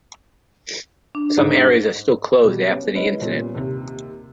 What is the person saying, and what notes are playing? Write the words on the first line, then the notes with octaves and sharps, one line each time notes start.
Some areas are still closed after the incident.
D4
G#2
B2 G3
B3 C#4 G4
G#3 C#4 E4 B4 D#5
A#2 G3 B3 C#4
D#2 C3